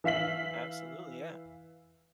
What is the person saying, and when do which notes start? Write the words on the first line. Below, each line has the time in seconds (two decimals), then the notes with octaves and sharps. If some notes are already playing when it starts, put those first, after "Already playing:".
Absolutely, yeah.
0.04 E3 E5 F5 B6 F#7